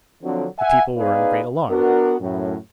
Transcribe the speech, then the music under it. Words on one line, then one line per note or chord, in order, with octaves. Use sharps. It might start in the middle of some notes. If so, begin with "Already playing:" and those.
The people were in great alarm.
D3 F3 F#3 C4
E5 F#5 G#5
B3 D#4 G#4 B4 D5 F5
B3 D4 F#4 A#4
F#2 A2